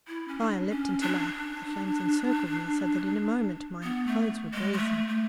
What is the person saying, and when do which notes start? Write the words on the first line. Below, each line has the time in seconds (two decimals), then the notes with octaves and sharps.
The fire leaped into life; the flames encircled me so that in a moment my clothes were blazing.
0.07 E4
0.28 C#4
0.39 D4
0.70 C#4
1.01 D4
3.83 B3
4.07 A3
4.54 G#3
4.73 G#3
4.77 A3
5.08 A3